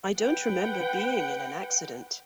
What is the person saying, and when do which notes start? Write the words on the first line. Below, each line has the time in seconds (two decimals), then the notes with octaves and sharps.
I don't remember being in an accident.
0.16 B4 F#5 G5